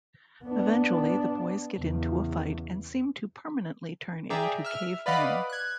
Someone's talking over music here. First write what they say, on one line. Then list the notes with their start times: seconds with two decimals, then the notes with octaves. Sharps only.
Eventually, the boys get into a fight and seem to permanently turn into cavemen.
0.44 B3 D4
1.79 E2 C#3
4.30 G#4 D5 E5 G5 A#5
4.64 E5 F6
5.06 B4 D5 D#5 F5 F#5 B5
5.50 F#6 G#6